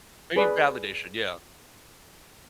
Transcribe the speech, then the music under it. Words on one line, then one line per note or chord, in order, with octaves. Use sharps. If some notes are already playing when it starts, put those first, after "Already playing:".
Maybe validation, yeah.
G#4 B4 D5